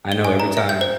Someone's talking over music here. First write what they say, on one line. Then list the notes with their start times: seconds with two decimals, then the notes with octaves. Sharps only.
I know every time
0.12 G7
0.25 G#5
0.40 A#5
0.57 E5
0.69 G6
0.81 C5